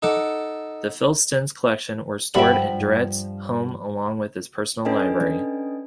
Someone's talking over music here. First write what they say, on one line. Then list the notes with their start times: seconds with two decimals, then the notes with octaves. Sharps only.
The Filson's collections were stored in Durrett's home along with his personal library.
0.02 D#4 A4 F#5 A5 D6
2.35 G2 F3 G3 E5 F#5 G5 B5
4.85 C#4 D4 A4 B4 D#5 G#5